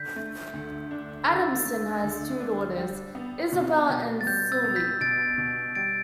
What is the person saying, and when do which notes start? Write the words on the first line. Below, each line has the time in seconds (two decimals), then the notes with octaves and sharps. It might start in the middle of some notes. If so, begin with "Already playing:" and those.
Adamson has two daughters, Isabelle and Sylvie.
Already playing: D3 G6 B6
0.16 A3
0.53 D2
0.91 D4
1.28 D3 E6 A6
1.66 A3
2.03 D2
2.40 D4
2.77 G3
3.15 B3
3.52 B2
3.89 B2
4.21 A6
4.26 G3 G6
4.52 E6 A6
4.64 B3
4.76 G6 B6
5.00 B2 A6 D7
5.38 B2
5.75 G3 A6 D7